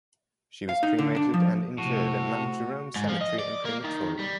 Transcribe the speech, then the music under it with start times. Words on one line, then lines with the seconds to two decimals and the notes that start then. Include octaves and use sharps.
She was cremated and interred at Mount Jerome Cemetery and Crematorium.
0.69 F5
0.83 D#4
0.99 D3
1.16 D4
1.34 F3
1.77 A2 C3 A3 F#4
2.96 G#2
3.09 F3
3.21 D#5
3.39 D5
3.65 A#3
3.84 D#3
4.19 G3